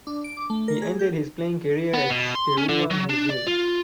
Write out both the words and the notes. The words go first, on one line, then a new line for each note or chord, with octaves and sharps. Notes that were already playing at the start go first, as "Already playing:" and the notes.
He ended his playing career at Steaua Mizil.
D4
D7
D6
A3
A#4
G#4
G6
B3
B2
C6
C#4
D3
F#3
D4
D5
F4